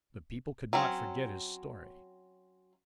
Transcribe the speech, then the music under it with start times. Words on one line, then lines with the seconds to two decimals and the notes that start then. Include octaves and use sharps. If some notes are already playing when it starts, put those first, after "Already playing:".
But people could not forget his story.
0.73 F#3 C4 C#4